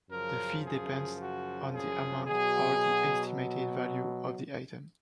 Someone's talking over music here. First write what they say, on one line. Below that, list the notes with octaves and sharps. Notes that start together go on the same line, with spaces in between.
The fee depends on the amount or the estimated value of the item.
F#2 C#3 F3 A#4
G#4
F#4
G#4
B2 F#3 G#4